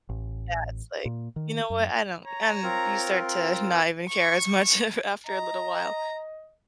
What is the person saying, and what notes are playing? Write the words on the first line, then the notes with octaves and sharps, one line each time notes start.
Yeah, it's like, "You know what, I don't" and you start to not even care as much after a little while.
A1
A#2
D#3
F#2
C#5 A#5
C4 F4 A#4
C#6
D#5 A#5